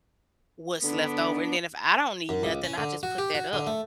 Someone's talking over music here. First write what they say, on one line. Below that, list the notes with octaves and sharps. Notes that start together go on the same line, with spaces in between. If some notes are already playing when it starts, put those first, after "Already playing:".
what's left over, and then if I don't need nothing, I just put that up,
D3 B3 D4
F#2
C#2
C#4
D3
F#4
G4
F#4
D3
A3